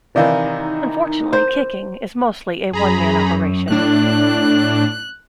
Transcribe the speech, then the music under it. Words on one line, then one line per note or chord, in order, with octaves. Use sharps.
Unfortunately kicking is mostly a one-man operation.
C3 D#3 E3 D#4 D5 F5
C5
F#2 G#4 A#5 B5
A2 D4 F#6